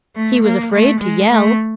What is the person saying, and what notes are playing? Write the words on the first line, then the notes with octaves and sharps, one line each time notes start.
He was afraid to yell!
A3
A#3
A3
G#3
A3